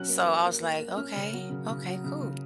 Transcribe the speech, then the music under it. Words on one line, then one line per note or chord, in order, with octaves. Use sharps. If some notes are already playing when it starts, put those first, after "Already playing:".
so I was like, "Okay. Okay. Cool."
Already playing: F#3 C#4 F#6
A#3
A#3
A#3
A#3
A#3
C#4 F6
C#3
F#3
C#3
C#3
F#3
C#3
C#3